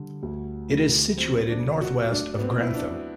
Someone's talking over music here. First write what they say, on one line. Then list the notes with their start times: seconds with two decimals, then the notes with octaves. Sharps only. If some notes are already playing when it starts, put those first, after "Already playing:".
It is situated north-west of Grantham.
Already playing: D3 G3
0.23 D2
0.70 D2
1.17 F#3 C4
1.49 D4
1.65 F#3
1.81 F#4
2.11 A3 D4
2.38 B3
2.43 C4
2.59 F#3 E4
2.74 D4